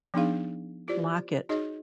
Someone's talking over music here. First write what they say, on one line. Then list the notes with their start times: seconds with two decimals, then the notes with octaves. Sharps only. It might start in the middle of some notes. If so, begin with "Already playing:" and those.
Lock it.
0.14 F3 B3 D4 D#4 G#4 F5
0.88 E4 F4 G4 C5 D5
1.49 D#4 F#4 G#4 C#5 D#5